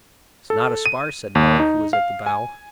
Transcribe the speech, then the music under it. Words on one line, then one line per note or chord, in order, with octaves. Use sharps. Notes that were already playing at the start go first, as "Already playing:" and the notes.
"It's not a spar," said Melick, who was at the bow.
A4
D#7
D#2
D#4
F5
G#5